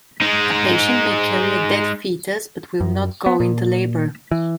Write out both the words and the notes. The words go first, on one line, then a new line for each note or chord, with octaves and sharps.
A patient may carry a dead fetus but will not go into labor.
G#3 D#4
F#2
B3
A#2
E3